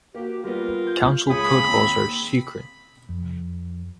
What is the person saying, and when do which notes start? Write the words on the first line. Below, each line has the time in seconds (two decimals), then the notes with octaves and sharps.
Council protocols are secret.
0.14 A#3 F#4 G4
0.44 G3 B3 F4 A#4
0.87 G6
1.29 C#2 F4 G#4 C#5 B5 D#6
1.64 D#2 C4
3.09 F2